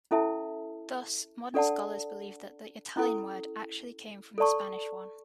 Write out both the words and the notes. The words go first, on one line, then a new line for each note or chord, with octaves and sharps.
Thus, modern scholars believe that the Italian word actually came from the Spanish one.
C#4 E4 A4 E5 A5
D4 A4 D5 F#5 A5
C#4 E4 A4
A4 D5 A5 C#6